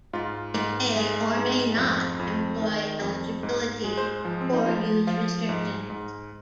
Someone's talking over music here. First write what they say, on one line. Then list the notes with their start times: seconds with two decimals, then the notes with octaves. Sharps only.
It may or may not employ eligibility or use restrictions.
0.13 G#2 F4
0.54 G#2
0.96 G#3
1.37 G#2
1.77 F2 F4
2.19 F2
2.60 D#3
3.01 F2
3.43 G#2
3.84 G#3
3.97 C5
4.25 F3
4.41 C4
4.53 D#4
4.66 F3 F4
5.07 F3 F4
5.49 G#2
5.90 G#2